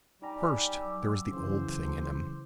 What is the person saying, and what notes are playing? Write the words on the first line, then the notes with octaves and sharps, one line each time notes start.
First there was the old thing in him.
G3 D#4 D5 G5 G#5 A#5
F#3 D6 E6
C#3 E3 C5